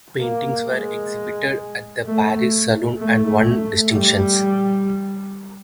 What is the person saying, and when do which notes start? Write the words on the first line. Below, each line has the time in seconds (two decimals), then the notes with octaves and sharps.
Both paintings were exhibited at the Paris Salon and won distinctions.
0.19 A#3
0.66 G#3
2.06 A3
2.98 A3
3.45 A3
3.92 G3